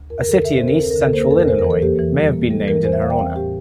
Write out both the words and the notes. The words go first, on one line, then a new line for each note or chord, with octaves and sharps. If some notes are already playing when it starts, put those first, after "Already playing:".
A city in East Central Illinois may have been named in her honor.
Already playing: D2
F2 A#4
A#4
D3 A4
A#4
C3 E5
C5
C4
A#4
D2 A4
A#4
D3
A4
A#3 C5
A#4
F2 A4
A#4
E2 C5
A#4
E3
A4
A#3 G4
E3
G3
A#3
G3 A4
E3 A#4
E2 C5
E5
E2 F5
G5
C4 F5
A2 G4